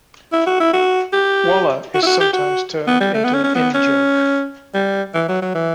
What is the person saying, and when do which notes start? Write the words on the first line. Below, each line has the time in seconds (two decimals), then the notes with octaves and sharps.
Walla is sometimes turned into an in-joke.
0.33 E4
0.46 F#4
0.60 E4
0.73 F#4
1.13 G4
1.94 F#4
2.03 E4
2.07 F#4
2.20 G4
2.33 F#4
2.87 B3
3.01 G3
3.14 A3
3.24 B3
3.34 C#4
3.44 C#4
3.55 B3
3.74 C#4
4.74 G3
5.14 E3
5.28 F#3
5.42 F#3
5.55 E3